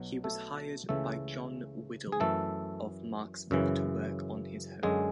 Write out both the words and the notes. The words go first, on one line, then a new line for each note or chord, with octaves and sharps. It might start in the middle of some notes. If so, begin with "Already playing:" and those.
He was hired by John Waddill of Marksville to work on his home.
Already playing: B1 B2 F#3
A3 A4
C#2 C#3 E3 A3 A4
G#4
F#2 E3 A3 A4
F#2 C#3 E3
F#2 D3 F#3 G#3 G#4